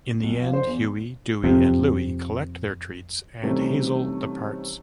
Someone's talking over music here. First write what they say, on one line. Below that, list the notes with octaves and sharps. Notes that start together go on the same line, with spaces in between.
In the end, Huey, Duey, and Louie collect their treats and Hazel departs.
B1
F3
C5
E2
F2 C3
C3 D#3 E3 G3 A3 C#4